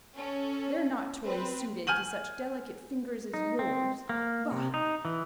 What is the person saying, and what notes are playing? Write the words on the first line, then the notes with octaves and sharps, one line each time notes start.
They're not toys suited to such delicate fingers as yours! Bah!
C#4 A4
C4 B4 C5
G#5 F6 G6 D#7 F#7
D#4
C4
A#3
C3
D#4
E3